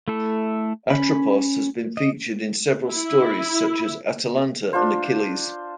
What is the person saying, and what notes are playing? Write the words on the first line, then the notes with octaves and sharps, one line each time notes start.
Atropos has been featured in several stories such as Atalanta and Achilles.
A3 E4 A4
C#4 B5
D#5
E4
D4 F4 C5